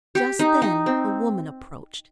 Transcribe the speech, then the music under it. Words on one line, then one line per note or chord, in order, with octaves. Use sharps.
Just then a woman approached.
G4
D#4
D#4
C4